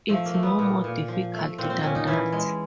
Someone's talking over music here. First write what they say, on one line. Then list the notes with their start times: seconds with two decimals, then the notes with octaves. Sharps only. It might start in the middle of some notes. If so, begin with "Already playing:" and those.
It's no more difficult than that!
0.09 F3 A3
0.26 A#3
0.34 A3
0.43 B3
0.59 A#2
0.84 A#2
1.08 F3
1.34 A3
1.58 A#2 C4
1.70 C4
1.83 A#2 C#4
1.95 D#4
2.07 E3 C#4
2.32 G#3